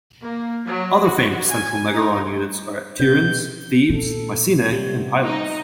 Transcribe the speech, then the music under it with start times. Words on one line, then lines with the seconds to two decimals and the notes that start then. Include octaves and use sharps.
Other famous central megaron units are at Tiryns, Thebes, Mycenae, and Pylos.
0.22 A#3
0.66 F#3
1.03 F#4
1.49 G#5
1.92 D#4
2.99 B2 G6
3.90 A#2 A4
4.71 C3 G3 A3 B3 C4
5.25 D#4